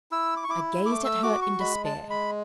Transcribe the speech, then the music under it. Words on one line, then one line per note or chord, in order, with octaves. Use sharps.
I gazed at her in despair.
E4 E6
D6
C#6
E4 D6
A3 D6
E6
F#4 D6
C#6
G#3 B5
A5
G#3
B5